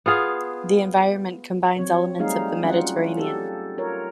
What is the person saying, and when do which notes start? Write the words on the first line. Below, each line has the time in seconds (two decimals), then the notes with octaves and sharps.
The environment combines elements of the Mediterranean.
0.06 B3 F4 G#4 F5
1.76 F#3 C4 C#5
2.19 G3 A3 C4 D#4 G#4 F5
2.64 F#3 C#4 F4 F#5
3.17 G4 A4
3.78 F4 A#4 C#5